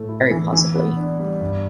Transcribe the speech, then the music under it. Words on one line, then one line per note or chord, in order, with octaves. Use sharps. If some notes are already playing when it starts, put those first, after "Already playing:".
Very possibly.
Already playing: A2 A3
E4
E3
E3
B3
D4
G3
G2